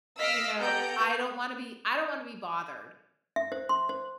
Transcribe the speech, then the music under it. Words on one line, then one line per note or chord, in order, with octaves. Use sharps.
you know, I don't wanna be I don't wanna be bothered.
D#5 F5 E6 F6 B6 D7
B3 G4 A4 A#5 G6 D7
E5
C5
C6
C5